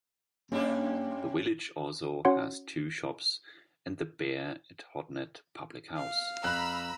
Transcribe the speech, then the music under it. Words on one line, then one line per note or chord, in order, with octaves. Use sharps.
The village also has two shops and the "Bear at Hodnet" public house.
F#2 A#3 C#4 D4 G4
C#4 F#4 C#5 F#5 C6 C#7
F5
F2 A#5 B5 E6 F#6